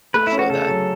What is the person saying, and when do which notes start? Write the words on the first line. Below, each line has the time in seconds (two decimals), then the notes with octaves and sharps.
I feel that.
0.14 A3 B4
0.27 E4
0.32 C#4
0.39 F#4
0.50 C#3 A4
0.69 F#3